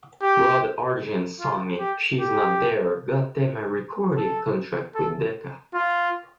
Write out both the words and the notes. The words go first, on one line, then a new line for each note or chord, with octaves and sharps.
Rod Argent's song "She's Not There" got them a recording contract with Decca.
G4
F4
G4
G4
A4
A4
F4